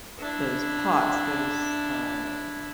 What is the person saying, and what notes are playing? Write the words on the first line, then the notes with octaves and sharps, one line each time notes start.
those pots, those, uh,
D4 E4